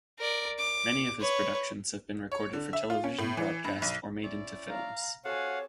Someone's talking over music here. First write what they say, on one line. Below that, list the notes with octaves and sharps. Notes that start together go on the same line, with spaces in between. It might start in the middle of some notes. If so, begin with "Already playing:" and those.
Many of his productions have been recorded for television broadcast or made into films.
A#4 D5
D6
B4 C#5
C#5
D3
E5
F4
C#4
A2
E3
G2
B1
C#4 E4 D5
F5 A#5
C4 F#4 G4 A4 C#5 F5 F#5 G#5